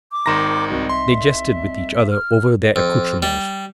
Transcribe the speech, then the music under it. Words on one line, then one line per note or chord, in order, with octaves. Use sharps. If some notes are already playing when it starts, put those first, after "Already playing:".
They jested with each other over their accoutrements.
D6
G#1 D#3 A#5 C6 A#6 E7
C2 D#4 F#4
E5 C6
F6
F2
G3